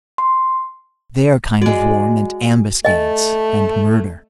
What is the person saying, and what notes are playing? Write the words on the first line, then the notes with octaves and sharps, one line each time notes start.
Their kind of war meant ambuscades and murder.
C6
G#3 F#4 D5
A3 D#5 G#5